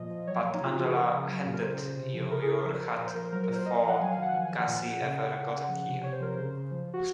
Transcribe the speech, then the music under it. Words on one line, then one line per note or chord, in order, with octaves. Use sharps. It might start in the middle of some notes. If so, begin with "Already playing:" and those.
But Angela handed you your hat before Gussie ever got here.
Already playing: A#2 F3 D#5
F3
F#3 C#5
A#2
D#4
C#3 F4
F3 F#4
G#4
F3 A#4
C#3
F#3
A#2
A#4
C#3 C5
C#3
C3
F3
C#3 A#4
G#4
C#3
A#4
F3
F3
A#2 A#4
C5
F3 A#4
F#3 A#4
A#4
A#2
C5
A#2 D#5
F5
F3
F#5
F#3 G#5
F5
D#3
F#5
F3 G#5
G#5
F3
F#5
A#2
A#2
C#3
C#3
C#3 F#5
C#3
F3
C3
C3 C#5
C5
F3 A#4
C5
C#3
C#3
F3
F3
F#4